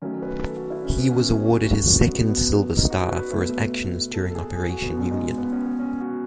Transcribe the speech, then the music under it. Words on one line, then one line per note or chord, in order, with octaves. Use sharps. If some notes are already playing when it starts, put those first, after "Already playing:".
He was awarded his second Silver Star for his actions during Operation Union.
D#3 F#3 A3 C#4
B4
A4
F#4
E4
C#4
B3
C#4
F#4
C#3 F#3 A3 F#4
B3
B3
B3
B3
D#4
F#4
B4
B2 A3 B4
A4
A4
G#4
G#4
F#4
B3
B2 G#3 C#4
D#4
B3
B3
C#4
B3
C#4
F#4